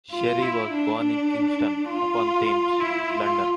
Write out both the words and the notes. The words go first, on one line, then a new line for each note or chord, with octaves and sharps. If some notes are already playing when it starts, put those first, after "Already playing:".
Sherry was born in Kingston upon Thames, London.
F4
E4
D4
D4
F4
E4
F4